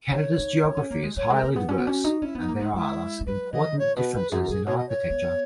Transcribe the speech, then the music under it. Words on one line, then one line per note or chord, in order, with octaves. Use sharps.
Canada's geography is highly diverse, and there are thus important differences in architecture.
D#4 C#5
D#4
D#4
C#4
A#3
G#3
F#3 C#5
G#3 A#4
A#3
B3 G#4
C#4 F#4
B3
C#4
D#4
C#4 E4
B3 D#4
A#3
G#3 D#4
G#3 E4
G#3
F#3 B4
E3 D#5
A#2 C#5
B2 B4
E2 B4
F#2 G#4
A#4
A#2 G#4
B2 C#5
D#5
C#5
B3